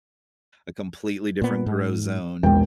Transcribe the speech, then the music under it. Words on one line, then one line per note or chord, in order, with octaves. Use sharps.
A completely different grow zone,
A#2 B3
G#2
E1 A#1 E2 G5